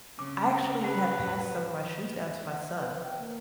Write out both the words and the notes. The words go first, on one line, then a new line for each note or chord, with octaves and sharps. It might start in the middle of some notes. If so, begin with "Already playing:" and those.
I actually have passed some of my shoes down to my son.
C#3 D6
B4 F#5 B5
F#5
B4
G5
A#3